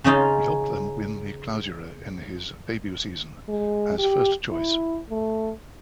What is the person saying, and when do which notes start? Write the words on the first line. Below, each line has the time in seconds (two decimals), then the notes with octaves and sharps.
He helped them win the Clausura in his debut season, as first-choice.
0.04 C#3 C#4 D#4 F4
3.49 G#3
3.99 G4
4.51 E4
5.10 A3